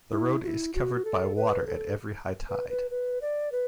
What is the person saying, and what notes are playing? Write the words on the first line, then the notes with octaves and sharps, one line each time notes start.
The road is covered by water at every high tide.
E4
F#4
E4
F#4
A4
B4
A4
B4
B4
B4
D5
B4